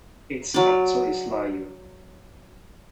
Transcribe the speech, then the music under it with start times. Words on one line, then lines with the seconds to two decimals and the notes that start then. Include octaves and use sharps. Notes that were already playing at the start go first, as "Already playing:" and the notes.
Its capital is Layou.
0.54 F#3 D5